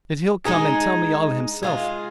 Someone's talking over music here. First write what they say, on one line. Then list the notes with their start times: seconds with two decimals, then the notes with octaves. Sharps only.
But he'll come and tell me all himself.
0.45 G#3 D#4 G#4
1.63 G#3 F4 G#4